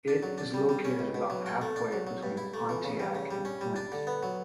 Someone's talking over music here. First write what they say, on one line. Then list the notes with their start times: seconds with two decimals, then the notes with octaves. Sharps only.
It is located about halfway between Pontiac and Flint.
0.08 D4
0.23 F#3
0.38 D4
0.54 G3
0.69 G3
0.85 C#4
0.99 C#2
1.15 B2
1.30 F#3
1.46 F#4
1.62 A3
1.76 D4
1.92 F#3
2.07 F#3
2.23 G2
2.37 E4
2.54 A3
2.69 E3
2.84 C#3
3.00 G3
3.15 C#3
3.31 G3
3.45 C#4
3.61 G3
3.76 D4
3.92 D3
4.07 B3
4.23 F#3